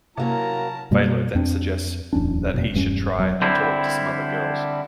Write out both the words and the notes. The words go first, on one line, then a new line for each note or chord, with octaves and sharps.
Valo then suggests that he should try and talk to some other girls.
C3 F#3 A#3 C#4 E4 A#4 A5 A#5
F#2 B2 G3 A#3
F2 C4 D4
D1 E2 C#4 D4
F1 B1 B2
E1 G2 C4 C#4
E1 F#3
D3 G3 C4 E4